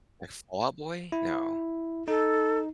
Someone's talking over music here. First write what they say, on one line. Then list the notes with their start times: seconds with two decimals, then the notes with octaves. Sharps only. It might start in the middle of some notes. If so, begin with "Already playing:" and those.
Like Fallout Boy? No.
1.12 E4
2.08 D#4 A4